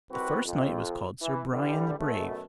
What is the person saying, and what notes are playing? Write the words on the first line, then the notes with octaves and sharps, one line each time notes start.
The first knight was called Sir Brian the Brave.
C2 C4 F#4 B4
F2
E3
D3 E3 G3
F#2 B2 A3